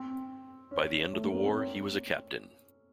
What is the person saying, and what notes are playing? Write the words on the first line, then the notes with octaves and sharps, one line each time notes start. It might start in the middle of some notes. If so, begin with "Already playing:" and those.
By the end of the war he was a captain.
Already playing: C4
C#4
A3
A#3
B3
C4
C#4